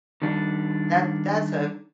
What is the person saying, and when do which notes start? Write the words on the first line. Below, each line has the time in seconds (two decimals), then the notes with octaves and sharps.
that that's a
0.22 D#3 G3 D4